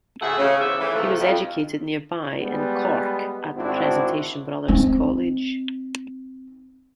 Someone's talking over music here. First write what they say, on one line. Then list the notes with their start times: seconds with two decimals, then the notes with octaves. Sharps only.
He was educated nearby in Cork at the Presentation Brothers College.
0.21 D2 A2 A3 G#4 E5 F#5
0.38 C#3
0.60 E2 G#2 E4 G4 E5
0.79 E3 A3
0.95 G#2 C3 F3 A3
1.19 F2
2.40 G3 G#3 B3
3.57 G#1 C4 D4 E4 F#4
4.68 C4 D#4